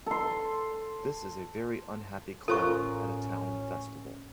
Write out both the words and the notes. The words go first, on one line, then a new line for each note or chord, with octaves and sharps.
This is a very unhappy clown at a town festival.
A4 C6
A1 C#4 F4 A4 A#4 C5 C#6